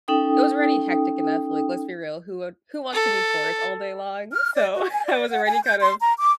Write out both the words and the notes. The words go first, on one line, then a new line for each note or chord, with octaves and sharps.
it was already hectic enough, like, let's be real, who would who wants to do chores all day long? So I was already kind of,
C#4 D#4 A4 G5 D#6
A4
F6
D5
F#4
G#5
D5
F#5
G#5
G6
C6
A#5
D6